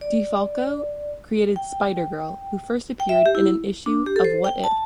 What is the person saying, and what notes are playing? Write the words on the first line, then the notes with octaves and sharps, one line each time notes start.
DeFalco created Spider-Girl, who first appeared in an issue of What If?
D5
G5
G5
E5
G4
E4
D4
G4
A4
C5
G5
A5